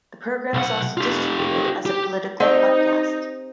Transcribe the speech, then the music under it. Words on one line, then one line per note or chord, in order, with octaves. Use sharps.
The program is also distributed as a political podcast.
B1 F#5
F4 G4
G4
C4 D#4 G4 D5 D#5 F#5